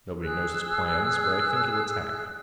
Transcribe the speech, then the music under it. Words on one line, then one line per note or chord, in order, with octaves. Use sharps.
Nobody knows his plans, but I think he'll attack.
G#4 E6 F#6